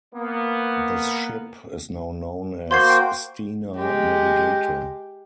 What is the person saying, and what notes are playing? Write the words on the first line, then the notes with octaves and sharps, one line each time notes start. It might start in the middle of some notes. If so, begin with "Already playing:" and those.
The ship is now known as "Stena Navigator".
A#3 B3
A#3 F#4 C5 C6 G#6 C7
G5
G#3 G4